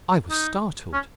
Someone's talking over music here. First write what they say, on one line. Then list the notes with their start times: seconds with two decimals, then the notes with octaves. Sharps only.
I was startled.
0.30 D#4
0.93 C#4